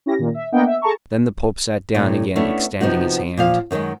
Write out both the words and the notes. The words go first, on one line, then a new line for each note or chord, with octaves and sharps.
Then the Pope sat down again, extending his hand.
C#4 E4 G4 A#6
A#2 D#3
E5
A#3 B3 D4 D#5 F#5 G5
E5
G#4 A4 A5 A#5 C#6
A2 C3 G3
A3 B3 C#4 D4 E4
C3 F3 B3 D#4 F#4
A#2 F3 F5
F#2 D#3 F3 F#3 G#3